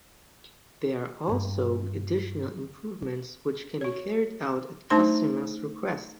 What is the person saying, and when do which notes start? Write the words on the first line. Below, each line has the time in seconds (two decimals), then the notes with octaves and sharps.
There are also additional improvements which can be carried out at customer's request.
1.28 C#2 G2
3.81 F#4 C#5
4.90 A3 D4 D#4 C5 A5 C6